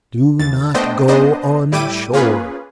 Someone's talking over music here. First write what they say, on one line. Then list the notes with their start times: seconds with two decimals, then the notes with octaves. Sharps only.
Do not go on shore.
0.39 D#2 A6
0.74 A3 B3 D4 C5 D#5 G5
1.08 B3 D4 C5 D#5
1.72 A2 G3 E4 G5 D6 D#7
2.14 A#3 C#4 F4 G#4 B4